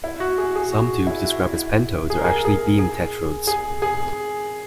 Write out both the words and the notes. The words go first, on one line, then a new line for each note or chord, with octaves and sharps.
Some tubes described as pentodes are actually beam tetrodes.
E4
F#4
G#4
G#4
F#4
E4
E4
G#4
A#4
G#4
G#4
G#4
G#4
G#4